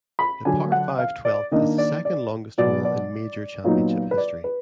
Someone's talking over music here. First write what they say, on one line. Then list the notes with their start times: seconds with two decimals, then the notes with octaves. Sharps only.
The par five twelfth is the second longest hole in major championship history.
0.19 B5
0.45 D3 F#3 D4 G#5
0.72 F#5
0.99 F5
1.25 D5
1.51 D#3 A#3 D4 D#5
1.78 D5
2.05 D5
2.58 B2 F#3 B3 D5
2.85 D5
3.64 A#2 F#3 B3 D#4
4.11 B4
4.17 D5
4.44 B4